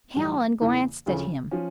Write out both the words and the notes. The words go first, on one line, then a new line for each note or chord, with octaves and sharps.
Hallen glanced at him.
A2 E3 G3
E2 C#3 E3 A#3
D2 C#3 F3 A3 C#4
F3 C#4